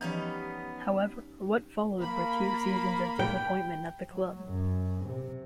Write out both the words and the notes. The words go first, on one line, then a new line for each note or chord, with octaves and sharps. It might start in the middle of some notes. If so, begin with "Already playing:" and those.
However, what followed were two seasons of disappointment at the club.
E3 F3 G3 B3 C#4 D#4
A#3 B5
G5
F#3
F#2
C3